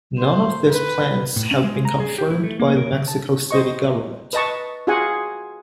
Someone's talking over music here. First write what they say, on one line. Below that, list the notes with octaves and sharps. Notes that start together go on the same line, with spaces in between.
None of this plans have been confirmed by the Mexico City government.
C5
B4
A2
C#4
G#3
A#5
G#4
G4
E4
A3
A#3
A#4
C#3
A5
C5 D#5 C#6
B4 D#5 A5 C#6
F4 F#4 G#4 F#5 G#5